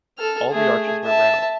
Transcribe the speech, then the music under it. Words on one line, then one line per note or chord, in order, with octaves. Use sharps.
All the arches were round.
A4 F6
A3 G#4
E5 A5